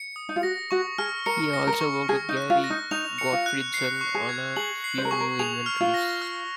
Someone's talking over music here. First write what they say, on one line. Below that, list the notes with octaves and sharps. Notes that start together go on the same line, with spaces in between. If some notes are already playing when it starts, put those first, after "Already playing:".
He also worked with Gary Gottfredson on a few new inventories.
Already playing: C#7
D#6
D#4
F4
F#4 A#6
F#4 C#6
G#4 F6
A#4 C#7
A#6
A#4
C#6
G#4 C#7
D#4
F#6
F4
A#6
D#4
D#4 F7
C#7
F4
F#6
C7
C#6
G#4
G#6
G#4 F#7
C7
C5
A#4
G#4 C#6
A#4
G#4 F7
F6
F4
A#6
F6